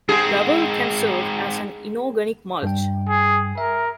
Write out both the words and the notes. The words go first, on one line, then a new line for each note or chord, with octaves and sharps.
Gravel can serve as an inorganic mulch.
G#2 C4 G#4
G2 G3 G5
G#4
A#4 E5